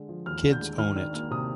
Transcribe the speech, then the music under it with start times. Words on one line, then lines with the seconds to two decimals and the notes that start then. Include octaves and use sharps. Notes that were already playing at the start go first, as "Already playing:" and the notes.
Kids own it.
Already playing: D3 G#3
0.09 F3
0.26 D#2 F6
0.44 D3
0.52 G6
0.61 G#3
0.78 D#3 F6
0.96 D4 F6
1.13 A#3 F6
1.31 C3 D#6